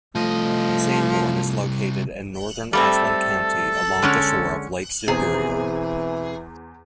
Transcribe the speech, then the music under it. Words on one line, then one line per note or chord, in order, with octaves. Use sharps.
Sanborn is located in northern Ashland County, along the shore of Lake Superior.
C2 F3 A3 D#5
G3 A3 C4 A4
D3 G#3 C#4
E2 B2 E3 C4 G#4 C5 A#5